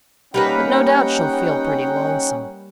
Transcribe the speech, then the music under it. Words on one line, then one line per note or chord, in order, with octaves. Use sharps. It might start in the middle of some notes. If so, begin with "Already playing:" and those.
But no doubt she'll feel pretty lonesome.
G3 A#3 C#4 D#4 B4 F#5 G5